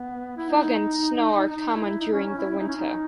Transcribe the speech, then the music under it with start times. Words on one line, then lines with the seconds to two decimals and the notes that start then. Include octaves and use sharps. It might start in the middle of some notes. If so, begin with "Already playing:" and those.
Fog and snow are common during the winter.
Already playing: B3
0.37 E4
0.49 D#4
1.49 D#4
1.74 E4
2.00 D#4
2.13 C#4
2.25 C#4
2.38 E4
2.50 E4
2.59 D#4
2.68 C#4
2.76 D#4